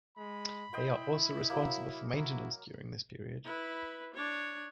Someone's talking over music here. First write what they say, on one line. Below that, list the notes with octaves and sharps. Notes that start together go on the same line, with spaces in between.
They are also responsible for maintenance during this period.
G#3 B5
E4 D#5 G5 C6
F#3 A#3
E4 F#4
E4 B4
D4 C#5